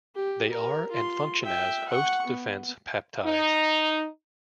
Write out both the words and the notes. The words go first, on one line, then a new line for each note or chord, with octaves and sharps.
They are, and function as, host defense peptides.
G4
A#4
F4 C6
E5 G5
F#5 C#6
B3
D#4